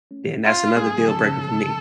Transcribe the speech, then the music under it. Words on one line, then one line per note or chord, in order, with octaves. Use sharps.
then that's another deal breaker for me.
A3 C#4
F4
G#3 B3 G#4
F#3 A3
D3 F#3
C#3 F3 A4
C#3